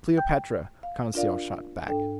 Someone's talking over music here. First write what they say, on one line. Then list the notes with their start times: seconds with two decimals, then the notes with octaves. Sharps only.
"Cleopatra," Conseil shot back.
0.17 G5 G6
0.83 F5
1.14 D4 F4 A#4 D5 F5
1.87 G#2 D4 A4 G5